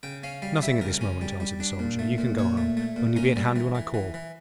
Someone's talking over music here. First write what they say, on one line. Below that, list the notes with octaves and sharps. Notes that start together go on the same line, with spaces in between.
'Nothing at this moment,' answered the Soldier. 'You can go home; only be at hand when I call.'
C#3 G5
C#4 F5
G3 F5
G3 E5
C#3 A#4
C#4
G3
G3
D4
A#2
A3
A#2
A#2 C#5
A3
A3
A#2
C#4 A#4
G3
E3
E3
E3
E3